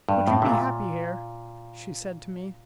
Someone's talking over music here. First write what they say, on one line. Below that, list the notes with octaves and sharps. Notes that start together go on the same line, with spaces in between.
"Would you be happy here?" she said to me.
G2
A2
C3
A#2